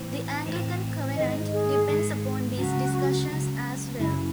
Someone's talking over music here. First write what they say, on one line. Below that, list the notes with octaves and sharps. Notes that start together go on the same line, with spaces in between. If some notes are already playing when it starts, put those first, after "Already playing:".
The Anglican Covenant depends upon these discussions as well.
Already playing: A2 E3 C4
A2 E3 C4
G#2 D#3 G#3 D#5
G#4
G#2 D#3 G#3
C#2 C#3 F#3 F#4
C#2 C#3 F#3
F#2 C#3 F#3 E4